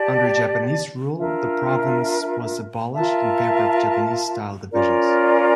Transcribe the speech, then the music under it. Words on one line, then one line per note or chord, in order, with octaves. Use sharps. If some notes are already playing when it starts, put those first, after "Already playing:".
Under Japanese rule, the province was abolished in favour of Japanese-style divisions.
Already playing: G4 D5 A5
D4 F4 A#4 E5
F4 A#4 E5 A5
C#4 F4 A#4 D5